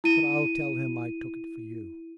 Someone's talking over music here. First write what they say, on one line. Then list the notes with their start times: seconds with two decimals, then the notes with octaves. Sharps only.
But I'll tell him I took it for you.'
0.04 E4 D#7